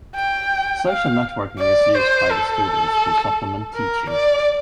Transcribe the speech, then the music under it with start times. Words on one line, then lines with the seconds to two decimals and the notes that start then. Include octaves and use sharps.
Social networking is used by the students to supplement teaching.
0.15 G5
0.88 F5
1.59 D5
1.95 C5
2.31 A4
3.74 A#4
4.10 D5